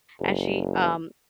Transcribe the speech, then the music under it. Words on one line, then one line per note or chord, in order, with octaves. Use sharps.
and she, um,
F#1